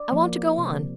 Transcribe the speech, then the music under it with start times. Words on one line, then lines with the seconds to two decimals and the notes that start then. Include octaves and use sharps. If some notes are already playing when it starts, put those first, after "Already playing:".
"I want to go on."
Already playing: D5
0.11 F3 A#3
0.58 C3